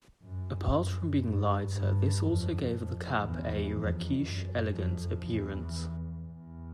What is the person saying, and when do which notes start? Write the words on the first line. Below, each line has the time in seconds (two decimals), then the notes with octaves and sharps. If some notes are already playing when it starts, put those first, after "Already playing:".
Apart from being lighter, this also gave the cap a rakish, elegant appearance.
0.23 F#2
0.73 F#2
1.23 G2
1.72 G2
2.23 F2
2.72 F2
3.22 E2
3.73 F2
4.22 F#2
4.71 F2
5.22 E2
6.22 E2